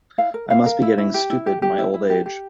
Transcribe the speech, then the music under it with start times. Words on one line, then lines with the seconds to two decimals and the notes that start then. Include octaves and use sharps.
I must be getting stupid in my old age.
0.18 E4 F5
0.34 A#4
0.50 E4 F5
0.66 A#4
0.82 E4
0.98 E4
1.14 G4
1.30 E4
1.47 G4
1.62 G4
1.78 E4
1.94 E4
2.10 G4
2.26 G4